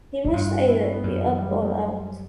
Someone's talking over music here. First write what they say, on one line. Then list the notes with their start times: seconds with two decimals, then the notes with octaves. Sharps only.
He must either be up or out.
0.25 G#2 E4
0.33 G2 F4
0.45 E4
0.68 E4
0.80 C#4
0.93 B3
1.04 F#2
1.15 F3
1.27 E3
1.38 G3
1.51 G#3
1.62 G3